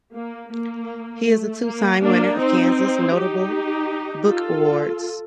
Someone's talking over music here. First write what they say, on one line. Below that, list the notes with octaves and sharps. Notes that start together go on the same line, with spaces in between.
He is a two-time winner of Kansas Notable Book Awards.
A#3
A#3
A3
A#3
A#3 D4
C4 D#4
D#4 G4
F4 A4